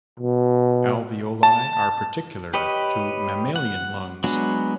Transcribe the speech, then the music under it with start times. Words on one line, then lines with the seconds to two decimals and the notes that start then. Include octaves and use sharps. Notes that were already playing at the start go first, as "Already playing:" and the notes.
Alveoli are particular to mammalian lungs.
0.20 B2
1.43 A5
2.54 G4 B4 C#5 D#5
3.56 F#5
4.24 F#3 G#3 B3 D4 F#4